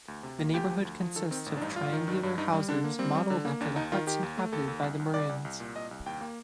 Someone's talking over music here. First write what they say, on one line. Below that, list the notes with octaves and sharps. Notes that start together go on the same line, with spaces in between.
The neighbourhood consists of triangular houses modelled after the huts inhabited by the Maroons.
D2
C3
A#3
D2 G4
F3
D2
F3
D#3 A4
D#3 C4
A1
D4
G2 D#4
A1 F4
D#3
G2
G2
G2 D#4
G3
D3 D4
A#3
G3 C4
G3
D3
A#3
D#2 D4
D#2 D#4
D#3 F4
D#3 G4
D#2
A3
D#2 A4
D#2
C2
C2
C2 D5
C2
C2
A#2
C2 D#5
C2
D#2 G5
A#3